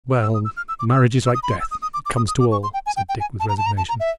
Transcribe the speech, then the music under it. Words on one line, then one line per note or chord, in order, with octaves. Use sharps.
"Well! marriage is like death, it comes to all," said Dick, with resignation.
E6
D#6
E6
F6
E6
D6
E6
E6
D#6
B5
C6
E6
D#6
D#6
D6
D6
D#6
D#6
D6
C#6
C6
G5
G#5
G5
G5
G#5
A5
A#5
A5
A#5
A5
A#5
E5